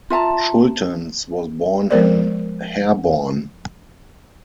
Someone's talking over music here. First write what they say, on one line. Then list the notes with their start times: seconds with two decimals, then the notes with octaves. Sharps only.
Shultens was born in Herborn.
0.10 F4 E5 A5 A#5
1.91 F3 G#3 B3 A#4 C5 D5